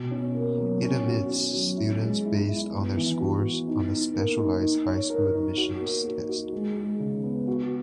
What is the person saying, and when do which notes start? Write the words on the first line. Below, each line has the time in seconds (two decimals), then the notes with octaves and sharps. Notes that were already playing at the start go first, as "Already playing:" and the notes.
It admits students based on their scores on the Specialized High Schools Admissions Test.
Already playing: B2
0.11 C#4
0.34 A#3
0.58 F#3
0.82 C#4
1.07 F#4
1.30 C#4
1.53 F#3
1.77 E4
2.01 G#3
2.25 E4
2.49 E4
2.72 B3
2.97 E3
3.20 F#4
3.44 B3
3.67 D#4
3.91 D#4
4.14 A#3
4.39 D#4
4.62 D#4
4.86 C#5
5.10 A#4
5.34 D#4
5.57 F#4
5.81 A#3
6.05 F#4
6.29 F#4
6.52 G#3
6.76 G#3
7.00 C#3
7.23 B3
7.48 F#4